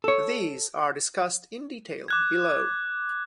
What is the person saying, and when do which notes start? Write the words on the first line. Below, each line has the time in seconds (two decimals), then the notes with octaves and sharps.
These are discussed in detail below.
0.04 A4 C#5
2.08 D6 F#6 G#6